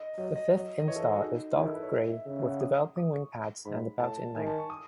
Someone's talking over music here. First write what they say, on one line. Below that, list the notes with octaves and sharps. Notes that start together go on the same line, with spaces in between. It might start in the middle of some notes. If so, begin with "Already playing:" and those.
The fifth instar is dark grey, with developing wing pads and about in length.
Already playing: D#5
F#3 D#5
D#5
F#3 D#5
D#5
E3 C#5
A4
G#4
F#4
D#4
D#3 E4
A4
B4
C#5
D#5
E5
C#3 E5
E5
F#5
D#6
D#6
C#6
G#2 B5
A2 A5
D#3 G#5
A5
C#6
D#6